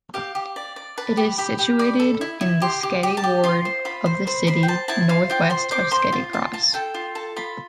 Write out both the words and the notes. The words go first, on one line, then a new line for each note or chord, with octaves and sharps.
It is situated in the Sketty ward of the city, north-west of Sketty Cross.
G4 F5
G4
D5
D5
B4 A5
G4
G4 B5
G4
D5 B5
A4
E4
E4
G4 C6
G4
G4
A5
G4
F4 C6
C5
F4 B5
C5
C5 B5
C5 B5
G5
C5 A5
E4 A5
C5 F5
F4 G5
C5 C6
C5 D6
C5 C6
F4
F4 A5
F4 A5
A4 G5
F4
A4 A5
F4 B5